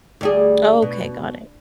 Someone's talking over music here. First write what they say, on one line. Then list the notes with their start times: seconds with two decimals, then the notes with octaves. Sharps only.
Okay, got it.
0.21 D2 G3 G#4
0.82 B2